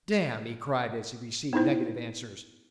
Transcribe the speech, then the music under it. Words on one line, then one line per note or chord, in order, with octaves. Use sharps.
"Damn!" he cried as he received negative answers.
B3 D#4 E4 C5